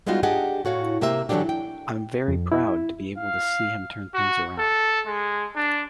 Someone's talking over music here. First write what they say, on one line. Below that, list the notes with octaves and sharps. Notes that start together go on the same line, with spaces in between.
I'm very proud to be able to see him turn things around.
G3 G#3 B3 D#4 F4 F#4
D4 G4 G#4 D#5 F#5 G#5
A2 F#4 C#5 F5
C3 A#3 G4 C5 E5
D3 E3 F#3 A#3 D4 G4
G5
F2
E4
F5
F#4
A4
G#3
D4